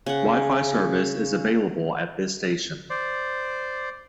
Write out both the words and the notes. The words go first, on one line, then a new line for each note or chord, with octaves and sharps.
Wi-Fi service is available at this station.
C#3 F#5
C5 D5